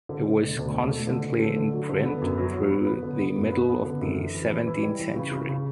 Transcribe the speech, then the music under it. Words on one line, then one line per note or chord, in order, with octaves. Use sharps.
It was constantly in print through the middle of the seventeenth century.
D3
D3
E1
D2
E1
A3
D3
D3
A3
D3
F#3
D3
B3
F#2
F#3
F#3
B3
B3
D3
B3
F#2
B3
B3
D3
F#2
E3
E3
E3
E3
G3
E3
C#3
C#3
C#3